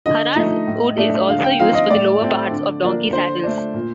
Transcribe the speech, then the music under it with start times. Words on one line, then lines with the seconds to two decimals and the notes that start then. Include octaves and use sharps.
"Haraz" wood is also used for the lower parts of donkey saddles.
0.06 D3 D#5
0.36 F3 A3 D#4
0.67 A2
0.98 A3 D4
1.28 D3 F5
1.44 G5
1.59 F3 C4 D#4 F5
1.75 D#5
1.90 A2 D5
2.21 A3 C4
2.51 D3
2.82 F3 A#3 D4
3.13 D3 C5
3.44 A3 D4
3.74 A#2